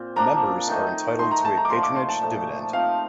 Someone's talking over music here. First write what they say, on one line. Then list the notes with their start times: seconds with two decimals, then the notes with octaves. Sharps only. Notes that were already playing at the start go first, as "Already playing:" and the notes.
Members are entitled to a patronage dividend.
Already playing: A#2 C4
0.16 F3 A#3 D4 A#5
0.67 D#3 A3 D#4
1.19 D#3 A3 D#4 C6
1.31 A#5
1.45 A5
1.57 A#5
1.65 D6
1.70 A#2 F3 A3 C6
1.83 D6
1.96 C6
2.09 A5
2.21 A#2 F3 A3
2.73 F3 C4 D#4 F5